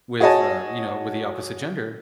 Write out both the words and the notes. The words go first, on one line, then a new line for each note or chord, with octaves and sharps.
with, uh you know, with the opposite gender,
F#4 G#4 C#5 D#5 G#5 A5